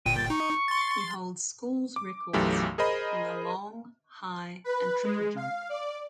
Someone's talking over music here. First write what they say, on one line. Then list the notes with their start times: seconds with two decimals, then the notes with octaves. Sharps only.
He holds schools records in the long, high, and triple jump.
0.06 G1 A#2 G5 D#7
0.17 A6
0.30 D#4 C#6
0.68 C6 A6
1.96 D6
2.33 B1 F#2 E3 A3 G4
2.78 G#4 A#4 C5 D#5 B5
4.64 B4
5.03 G#3
5.36 F5
5.69 D5